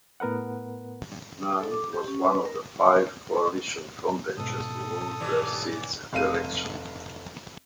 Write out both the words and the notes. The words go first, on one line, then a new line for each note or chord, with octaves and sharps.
Nairn was one of five Coalition frontbenchers to lose their seats at the election.
A2 B3 A#4 B4 F#5
A4
D6
G4
C#4
B4
A#4
G#2 B2 A4 D#6
D#2 E3 G3
F1 F5 D#7